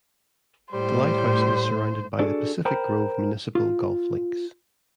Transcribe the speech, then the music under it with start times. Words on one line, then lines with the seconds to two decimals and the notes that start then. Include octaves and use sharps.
The lighthouse is surrounded by the Pacific Grove Municipal Golf Links.
0.72 A2 G3 C5
2.19 D4 F#4 G#4 A4 D5
2.65 A#4 C5 G5 A#5 B5
3.55 F4